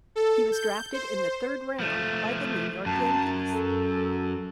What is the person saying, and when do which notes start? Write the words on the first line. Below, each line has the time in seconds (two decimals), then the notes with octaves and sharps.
He was drafted in the third round by the New York Yankees.
0.16 A4
0.52 G6
0.94 C5
1.80 F3 A3
2.86 F#2 A5
3.53 A4